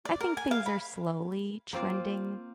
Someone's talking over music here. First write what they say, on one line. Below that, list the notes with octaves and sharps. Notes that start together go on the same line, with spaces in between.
I think things are slowly trending
D5
A#4
G#5
F5
B5
A#3 C4 F4